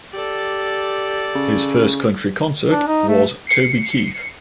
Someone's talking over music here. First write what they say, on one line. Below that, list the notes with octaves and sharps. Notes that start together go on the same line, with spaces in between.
His first country concert was Toby Keith.
G4 A4 D5
C#3
D4
D#4
A3
C7 C#7